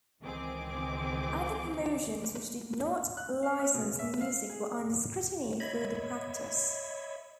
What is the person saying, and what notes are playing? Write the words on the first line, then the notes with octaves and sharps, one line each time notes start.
Other promotions which did not license music were under scrutiny for the practice.
C#2 D#3 E3 C4 G#4 D6
F#6
F5
F6
B2
E5
F5
G#4
C#5 D#5 E5 B5 G#6